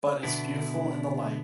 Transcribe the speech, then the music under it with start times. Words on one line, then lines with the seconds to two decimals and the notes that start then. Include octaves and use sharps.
But it’s beautiful in the light.
0.23 B2 D3 B3 D4 E4